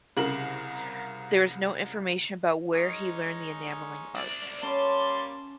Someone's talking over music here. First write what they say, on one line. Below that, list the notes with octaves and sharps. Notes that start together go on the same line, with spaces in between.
There is no information about where he learned the enameling art.
C2 C#3 A#4 F#7
G#3 C#4 D#4
C2 D5
G3 A#3 C#4 A5 C6